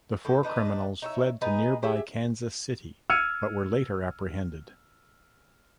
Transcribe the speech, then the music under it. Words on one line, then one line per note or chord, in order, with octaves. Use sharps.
The four criminals fled to nearby Kansas City, but were later apprehended.
A2 G4
D4 D#4 B4
D#4 C#5 E5
B3 D#4 G#4 B4
G4 G#4 E5
E6 F6 G#6 C#7 D#7